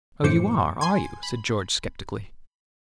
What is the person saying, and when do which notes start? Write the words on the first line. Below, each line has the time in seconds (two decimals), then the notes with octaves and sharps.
"Oh, you are, are you?" said George skeptically.
0.23 F#2 A2 F3 C5 D6 C#7
0.81 G#5 C6 G#6
1.23 B5